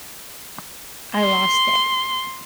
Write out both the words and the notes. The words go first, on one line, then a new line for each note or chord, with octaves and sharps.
I lost it.
C6